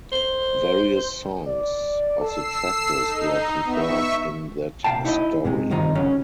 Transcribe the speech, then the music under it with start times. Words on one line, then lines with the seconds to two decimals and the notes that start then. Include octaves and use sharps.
Various songs of the tracklist were confirmed in that story.
0.12 C5
1.46 D5
2.21 A4 E6 C7
3.01 D#4
3.66 B3 E5 C#6
4.84 C3 F5 G5 A5
5.05 D#4 E4 D5 D#5
5.44 G#2 C3 G#3
5.70 G2 C3 D#3 F3 D#4
5.95 C#2 C#3 F#3 C#4